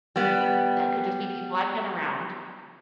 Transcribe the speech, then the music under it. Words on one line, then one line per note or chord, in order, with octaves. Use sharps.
I mean, that could just be people I've been around.
G3 B3